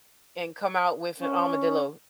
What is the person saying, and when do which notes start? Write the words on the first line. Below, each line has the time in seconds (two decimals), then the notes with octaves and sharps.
and come out with an armadillo
1.20 C#4